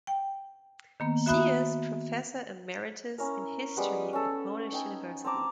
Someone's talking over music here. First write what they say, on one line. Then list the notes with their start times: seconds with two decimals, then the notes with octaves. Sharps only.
She is professor emeritus in history at Monash University.
0.07 G5
1.00 D#3 A#3 B3
1.26 F#4 E5 B5 D#6 F#6
3.18 C#4 E4 A#4
3.77 G3 G#3 B3
4.13 C#4 A4
4.73 D#4 G5 G#5
5.24 C4 A5 A#5 D6